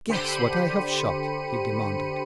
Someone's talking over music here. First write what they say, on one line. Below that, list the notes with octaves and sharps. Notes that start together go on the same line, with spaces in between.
"Guess what I have shot," he demanded.
D3 G4 C5 B5 C#7 D#7